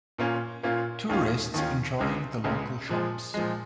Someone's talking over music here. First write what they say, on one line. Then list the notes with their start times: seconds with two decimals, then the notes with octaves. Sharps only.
Tourists enjoying the local shops.
0.18 A#2 A#3 C#4 F4
0.63 A#2 A#3 C#4 F4
1.09 D#2 D#3 C#4 F4
1.54 D#2 D#3 C#4 F4
1.99 C#2 C#3 G#3
2.44 C#2 C#3 G#3
2.89 A#2 F3 G#3
3.34 A#2 F3 G#3